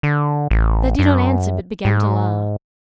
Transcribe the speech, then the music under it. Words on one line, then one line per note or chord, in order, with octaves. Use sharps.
They did not answer but began to laugh.
D3
A1
F#2
G#2